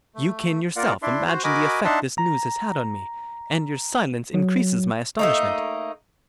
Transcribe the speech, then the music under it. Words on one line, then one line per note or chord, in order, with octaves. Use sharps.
You can yourself imagine the effect this news has had on me, and your silence increases my astonishment.
A3
A#3 F4 A#4 D5 F5 F#5
D4 E4 D5 E5 C6
F#4 C5
F#4 A#4 D#5 G#5 B5 D6
D4 D#4 E5 F#5 A5 C6
A#5
F#3
A3 A#3 D#4